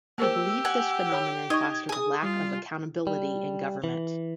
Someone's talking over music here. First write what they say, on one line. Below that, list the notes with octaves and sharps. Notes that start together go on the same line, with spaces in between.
He believed this phenomenon fostered a lack of accountability in government.
A#3 G4 A#4 C5 E6
F#5 G#5
C#5 B5
D#4 D#5 C#6 G#6
G#4 G#5 D#6
G3 F4
G3
E3